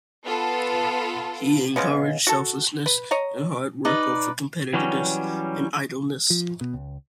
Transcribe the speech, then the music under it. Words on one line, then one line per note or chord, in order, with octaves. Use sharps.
He encouraged selflessness and hard work over competitiveness and idleness.
B3 F4 A4
C#3 G#3 B3
F#4 A4
B4
C#5 D#5 A#5
D#4 B4 D5
E3 F#3 G3 C#4
F3
B2
C#2